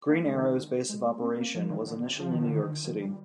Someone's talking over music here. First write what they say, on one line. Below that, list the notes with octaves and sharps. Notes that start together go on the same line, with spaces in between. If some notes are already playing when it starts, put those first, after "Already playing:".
Green Arrow's base of operation was initially New York City.
A#3
G#3
D3
D#3
G#3
A#3
C4
A#3
F3
D#3
D3
C3
F3
D#3
D3
D#3
F3
G3